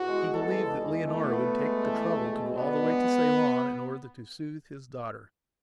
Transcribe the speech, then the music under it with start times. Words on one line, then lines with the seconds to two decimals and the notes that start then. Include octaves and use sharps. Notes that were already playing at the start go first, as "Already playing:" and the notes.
He believed that Leonora would take the trouble to go all the way to Ceylon in order to soothe his daughter.
Already playing: E2 F#4
0.09 G#3
0.34 E2 A4
0.58 G#3
0.84 E2
1.08 B2 A3
1.33 B3
1.58 G#3
1.82 E2
2.07 G#3
2.31 B2
2.56 B3 D4
2.81 G#3